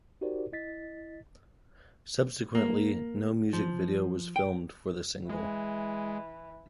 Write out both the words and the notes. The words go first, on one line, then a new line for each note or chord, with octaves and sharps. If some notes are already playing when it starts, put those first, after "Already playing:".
Subsequently, no music video was filmed for the single.
D#4 F#4 G4 A#4 C5 D5
E4 D#5 A6 B6
A#3
F3
G5
E3 G#3